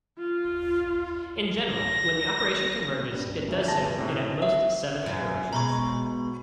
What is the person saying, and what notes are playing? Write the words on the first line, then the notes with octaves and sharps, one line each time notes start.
In general, when the operation converges it does so in at most seven iterations.
F4
A#6
G2 B2
D2 F3 E5
G1 G#4 A5 A#6
A2 C3
E5
F#2 F3
B2 G#3 A#5 B5 C#6